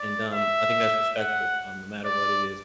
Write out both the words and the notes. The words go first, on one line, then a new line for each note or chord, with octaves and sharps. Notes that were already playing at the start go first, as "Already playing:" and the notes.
and, um, I think that's respectable, um, no matter what it is.
Already playing: D5
E5
F#5
D5